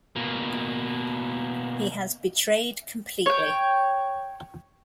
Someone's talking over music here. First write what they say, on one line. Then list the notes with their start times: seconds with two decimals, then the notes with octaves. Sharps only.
He has betrayed completely.
0.16 B2 A#3
3.26 C#5 G5